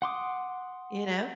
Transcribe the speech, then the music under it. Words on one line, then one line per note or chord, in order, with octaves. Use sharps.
you know.
F#5 C6 D6 D#6